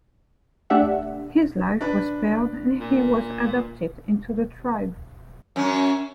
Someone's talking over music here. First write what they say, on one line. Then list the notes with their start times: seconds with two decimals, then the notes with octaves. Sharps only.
His life was spared and he was adopted into the tribe.
0.70 A3 D4 G4 E5 F#5
1.81 D4 B4
2.80 A#2
5.56 F#2 C#4